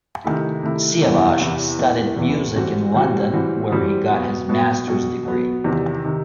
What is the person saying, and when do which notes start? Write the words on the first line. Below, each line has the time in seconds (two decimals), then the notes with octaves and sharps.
Siavash studied music in London where he got his Master's degree.
0.24 C3 D#3 A3 E4
0.63 C3 D#3 A3 E4
1.02 E2 C3 E3 B3 E4
1.40 E2 C3 E3 B3 E4
1.79 E2 C3 E3 B3 E4
2.17 E2 C3 E3 B3 E4
2.56 A2 E3 G3 C4 F#4
2.94 A2 E3 G3 C4 F#4
3.33 A2 E3 G3 C4 F#4
3.71 A2 E3 G3 C4 F#4
4.10 B2 F#3 B3 F#4
4.49 B2 F#3 B3 F#4
4.87 B2 F#3 B3 F#4
5.25 B2 F#3 B3 F#4
5.64 E2 C3 D#3
6.04 C3 D#3